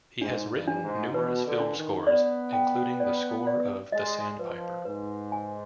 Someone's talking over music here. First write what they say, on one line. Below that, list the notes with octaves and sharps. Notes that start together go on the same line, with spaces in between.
He has written numerous film scores, including the score of "The Sandpiper".
G#2 D4
G2
D4
G#2
B2 B4
D3
D4
D#3
B3 D5
G5
D5
D5
G#3 D#5
F3 B4
G#2 B4
G#5